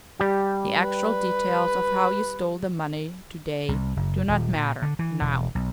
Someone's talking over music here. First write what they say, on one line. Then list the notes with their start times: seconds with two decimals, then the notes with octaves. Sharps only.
The actual details of how you stole the money to-day do not matter--NOW.
0.20 G3 G4
0.83 B4
3.68 C2
3.97 F#1
4.29 D#1
4.54 A#2
4.82 D3
4.99 E3
5.21 E1
5.55 B1